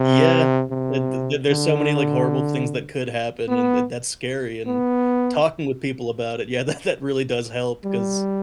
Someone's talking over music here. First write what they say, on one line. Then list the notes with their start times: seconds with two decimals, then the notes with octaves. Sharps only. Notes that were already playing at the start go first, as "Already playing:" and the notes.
Yeah, tha th th there's so many, like, horrible things that could happen, and th that's scary, and talking with people about it, yeah, that that really does help 'cause
Already playing: C3
0.71 C3
1.51 D3
3.48 B3
4.67 B3
7.84 G3